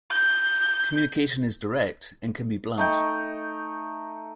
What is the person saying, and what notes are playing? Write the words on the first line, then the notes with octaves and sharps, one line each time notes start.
Communication is direct, and can be blunt.
G6
A3 D#4 G5